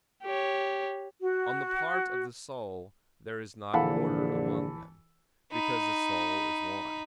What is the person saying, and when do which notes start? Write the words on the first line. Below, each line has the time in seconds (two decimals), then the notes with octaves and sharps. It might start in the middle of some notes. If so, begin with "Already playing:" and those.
On the part of the soul, there is not order among them, because the soul is one.
0.23 G4 C#5
1.21 F#4
3.74 A#1 D3 E3 A4 F5 F#5 B5
5.52 D#4 B5